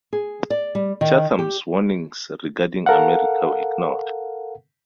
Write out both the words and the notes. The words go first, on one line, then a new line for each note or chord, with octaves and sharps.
Chatham's warnings regarding America were ignored.
G#4
D5
G3
D#3
G4
A4 A#4 F5 F#5